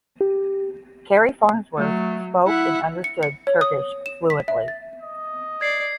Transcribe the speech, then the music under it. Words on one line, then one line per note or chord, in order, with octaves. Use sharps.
Carrie Farnsworth spoke and understood Turkish fluently.
G4
F#3 A3
E4 E5 F#5
C#7
C#7
C#5
D#6
E7
B6
E5
A6
D#5
D5 G#6 C7